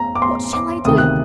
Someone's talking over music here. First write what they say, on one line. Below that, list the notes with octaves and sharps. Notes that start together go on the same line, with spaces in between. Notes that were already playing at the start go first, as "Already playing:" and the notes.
What shall I do?
Already playing: A#5
D6
C6
D6
D2 C3 D#3 D#6
F#6